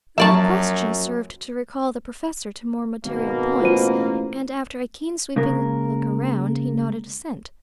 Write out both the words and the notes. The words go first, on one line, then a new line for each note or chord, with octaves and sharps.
That question served to recall the professor to more material points, and, after a keen, sweeping look around, he nodded assent.
F#2 F3 F#3 A#3 D5 E5 A5 C#6
G#1 B2 A#3
A1 F4 C5 D#7
C#3 G#3 A#3 A#4